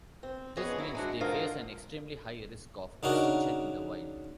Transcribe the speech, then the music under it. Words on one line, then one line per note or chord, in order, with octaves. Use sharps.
This means they face an extremely high risk of extinction in the wild.
C4
F2 B3 C#4 G#4 D#5
F#3 E4
G#3 D4 F#4
G#2 D3 F4 G#4 A#4
C#3 D4 D#4 F#4 A#4